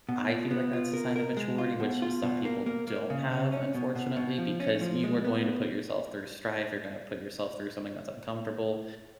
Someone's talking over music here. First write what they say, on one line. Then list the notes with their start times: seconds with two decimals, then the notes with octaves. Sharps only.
I feel like that's a sign of maturity, which just some people don't have unfortunately, because you are going to put yourself through strife, you're gonna put yourself through something that's uncomfortable,
0.09 B2
0.30 F4
0.51 B3
0.73 F4
0.94 A#4
1.16 A#4
1.37 G#3
1.58 F4
1.80 B2
2.02 F4
2.23 B2
2.45 A#3
2.66 A#3
2.88 A#3
3.10 C#3
3.31 C#3
3.52 C#4
3.75 B2
3.95 B2
4.16 B2
4.38 F3
4.60 C#4
4.81 F3
5.04 G#3
5.25 B3